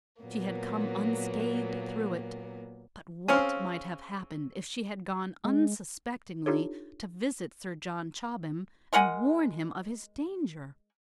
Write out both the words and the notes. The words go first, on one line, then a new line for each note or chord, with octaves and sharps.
She had come unscathed through it, but what might have happened if she had gone unsuspectingly to visit Sir John Chobham and warn him of his danger?
A#2 F#3 A#3 B3
C4 C#4 G#4 C#5 F5
G#3
D4 D#4 F4 G4 A4 C#5
G#3 A#4 F#5 G#5